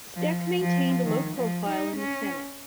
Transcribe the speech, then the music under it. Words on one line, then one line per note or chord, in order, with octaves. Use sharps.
Steck maintained a low profile in the Senate.
F3
F3
D#3
F3
D#4
C#4